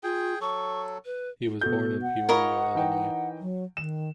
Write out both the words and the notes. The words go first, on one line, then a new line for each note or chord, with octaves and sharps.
He was born in Peoria, Illinois.
F4 G#4 G5
F#3 A4 C#6
B4
B2 F#4 A4 G6
F#5
F4 A#4 C#5 D#5 A#5 B5
E3 D#4 G5
F#3
D#3 E7